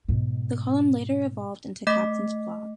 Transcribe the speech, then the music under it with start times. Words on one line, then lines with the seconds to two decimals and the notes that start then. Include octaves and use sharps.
The column later evolved into Captain's Blog.
0.08 G#2 B2
1.87 A3 D#5 D6 B6